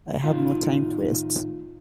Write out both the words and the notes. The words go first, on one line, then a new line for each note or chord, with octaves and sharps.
I have no time to waste.
A2 D#3 D#4 F4